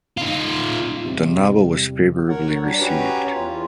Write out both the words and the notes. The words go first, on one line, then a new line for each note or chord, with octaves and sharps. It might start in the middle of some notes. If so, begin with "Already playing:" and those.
The novel was favorably received.
D#4 F4
E2 C3 G3
A#4 C#5 F#5
G3 D4
C#4 F#4 G4 B4 C#5 A#5
E2 F4